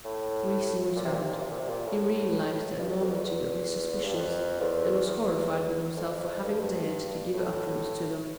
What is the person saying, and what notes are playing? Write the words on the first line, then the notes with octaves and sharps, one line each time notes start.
Reason returned; he realized the enormity of his suspicions, and was horrified with himself for having dared to give utterance to them.
A2
A#2
C3
A#2
C3
A#2
C3
A#2
C3
A#2
A2
G2
F2
F2
E2
E2
G2
F2
E2
E2
F2
G2
A2